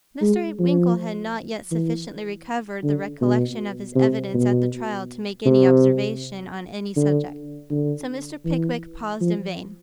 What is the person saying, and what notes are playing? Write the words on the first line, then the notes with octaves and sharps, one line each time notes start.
Mr. Winkle had not yet sufficiently recovered the recollection of his evidence at the trial, to make any observation on any subject, so Mr. Pickwick paused in vain.
G#3
F3
E3
D3
B2
C3
B2
C3
D3
D3
E3
F3